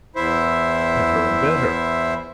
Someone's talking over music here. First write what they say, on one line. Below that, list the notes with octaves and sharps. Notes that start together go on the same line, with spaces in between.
Better and better.
E2 E4 C5 E5